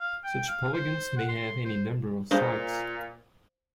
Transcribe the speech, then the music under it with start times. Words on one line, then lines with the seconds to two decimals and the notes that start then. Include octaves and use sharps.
Such polygons may have any number of sides.
0.01 F5
0.24 G5
0.48 F5
0.74 C5
1.17 F#5
1.28 C6
1.65 C5
2.31 A#2 G#3 D4 C5 D#5 F5